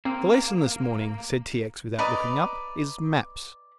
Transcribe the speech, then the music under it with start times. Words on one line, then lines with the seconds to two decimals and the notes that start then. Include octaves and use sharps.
"The lesson this morning," said T. X. without looking up, "is maps."
0.05 A#3 C4
1.98 B4 D5 D#5 A#5